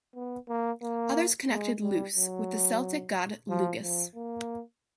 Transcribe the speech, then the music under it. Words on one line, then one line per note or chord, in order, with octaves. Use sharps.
Others connected "Lus-" with the Celtic god Lugus.
B3
A#3
A#3
G#3
G3
F#3
F3
F3
A#3